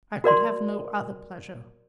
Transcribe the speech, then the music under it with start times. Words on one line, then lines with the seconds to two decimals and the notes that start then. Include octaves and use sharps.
I could have no other pleasure.
0.24 F#4 A#4 D5 C6